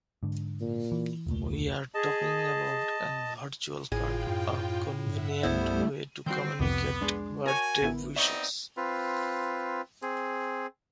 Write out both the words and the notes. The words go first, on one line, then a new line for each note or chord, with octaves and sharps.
We are talking about an virtual-card, a convenient way to communicate birthday wishes.
G#2 D3
A#2
E3
E1 C#2 A#2 A3
G#4 D#5 A5
G#1 A2 F4 G#4 G5
F#2
G2 E5 F#5
C2 G3 A3 B3 E4 C5
D#3 G3 C4 F#4 G6 C7
C2 F2 C3 B3 D6
G#3 D4
F#4 A#4 C#5 G#5 A5
A1 B3 E4
B3 C4 D#4 C#5 D5 E5
C4 F4 B4
C4 G#4